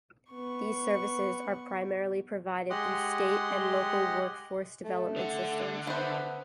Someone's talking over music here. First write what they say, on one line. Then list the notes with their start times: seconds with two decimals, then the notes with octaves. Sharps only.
These services are primarily provided through state and local workforce development systems.
0.31 B3 C#6
2.70 G#3 G4 D#5 F#5 C6
4.85 A3
5.16 D3 F#5
5.87 B3 C5 E5